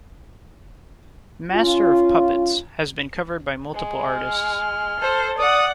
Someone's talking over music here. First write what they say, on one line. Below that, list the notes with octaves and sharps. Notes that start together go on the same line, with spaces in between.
"Master of Puppets" has been covered by multiple artists.
C#4 F4
G#3
F6
A4 C5
D5 F#5 D#6